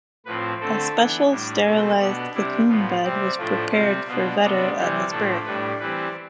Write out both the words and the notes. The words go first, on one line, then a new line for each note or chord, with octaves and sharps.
A special sterilized cocoon bed was prepared for Vetter at his birth.
A2 F3 C4 B4
D3 A3 C4 A4
E3 B3 D4
A2 G3 D4
B2 A3 C4
B2 B3 D4 G4
C3 G3 D4 E4
A2 F3 B3 F4
C3 G3 C4 G4
A2 F3 A3 D4 F4
C3 G3 C4 F4
B2 B3 D4 F4
C3 G3 B3 D4
C3 E3 G3 G4
A2 F3 A3 D4 A4
A2 G3 D4 B4
E3 G3 C4 B4